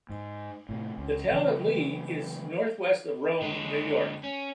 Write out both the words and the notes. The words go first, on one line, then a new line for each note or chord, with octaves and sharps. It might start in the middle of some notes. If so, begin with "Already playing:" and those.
The Town of Lee is northwest of Rome, New York.
G#2
A2 C3
C#2
C#3 E3 F#3
D3 G#3
C#4